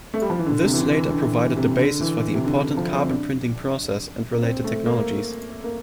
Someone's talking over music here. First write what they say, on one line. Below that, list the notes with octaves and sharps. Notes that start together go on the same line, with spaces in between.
This later provided the basis for the important carbon printing process and related technologies.
A3
G3
F3
E3
D3
C3
E3
D3
E3
D3
E3
C3
D3
E3
C3
D3
D3
F3
C4
D4
A#3
C4
A3
A#3
A#3